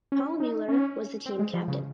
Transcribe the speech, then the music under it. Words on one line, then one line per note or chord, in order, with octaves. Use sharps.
Paul Mueller was the team captain.
C#4
D#4
C#4
C4
G#3
F3
C#3